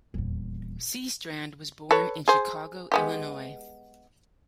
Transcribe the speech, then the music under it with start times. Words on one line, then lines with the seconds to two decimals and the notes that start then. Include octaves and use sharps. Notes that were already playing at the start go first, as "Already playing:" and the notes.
Seastrand was born in Chicago, Illinois.
0.14 D#1 E2
1.91 A4 B4 C#5
2.28 G#4 C5
2.92 G#3 B3 G4